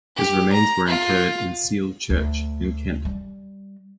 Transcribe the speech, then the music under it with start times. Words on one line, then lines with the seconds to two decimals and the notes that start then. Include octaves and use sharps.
His remains were interred in Seal church in Kent.
0.16 G4
0.52 A#5
0.87 F4
2.10 D2
3.05 G3